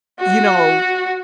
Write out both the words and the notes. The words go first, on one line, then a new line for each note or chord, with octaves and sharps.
you know,
F#4